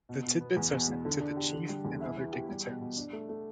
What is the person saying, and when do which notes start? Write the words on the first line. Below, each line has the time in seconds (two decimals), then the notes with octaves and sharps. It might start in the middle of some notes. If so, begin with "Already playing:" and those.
The tidbits are sent to the chief and the other dignitaries.
0.09 B2
0.25 B2
0.41 B3
0.57 E2
0.73 B2
0.88 E2
1.05 D3
1.21 D4
1.37 G4
1.53 D3
1.69 G3
1.85 E2
2.01 E4
2.17 E3
2.33 G4
2.49 G3
2.65 B2
2.81 B2
2.97 D4
3.13 A3
3.29 A3